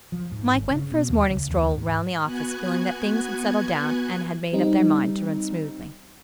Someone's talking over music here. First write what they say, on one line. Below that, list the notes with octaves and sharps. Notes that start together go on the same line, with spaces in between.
Mike went for his morning stroll round the office feeling that things had settled down and had made up their mind to run smoothly.
F3
G#2
G1
C#3
B2
D#2
C#2
D#2
D2
G#2
B3 F#4 G#5 F#6 G#6
G3 C4 D#4